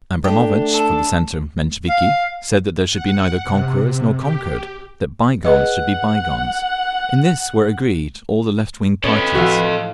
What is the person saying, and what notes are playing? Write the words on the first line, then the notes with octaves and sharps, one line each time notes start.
Abramovitch, for the centre Mensheviki, said that there should be neither conquerors nor conquered--that bygones should be bygones. ...In this were agreed all the left wing parties.
A3 D4 G4
A4
F5
F#5
C3
G4
G#4 B4 D#5 F#5
C#4 G4 A4 B4 D#5
A2 F3 F#4 E5 F5